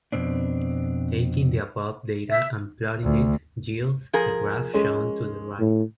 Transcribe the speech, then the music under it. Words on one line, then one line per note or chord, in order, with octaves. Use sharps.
Taking the above data and plotting it yields the graph shown to the right.
F2 G#2 B2 C4 D4
E5
D2
F3 G#4 A#4
G#3 C#4
A2